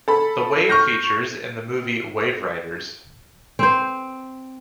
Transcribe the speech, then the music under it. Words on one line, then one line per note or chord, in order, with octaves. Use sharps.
The wave features in the movie Waveriders.
A4 B5
C#6 F6 G6 A#6
C4 C5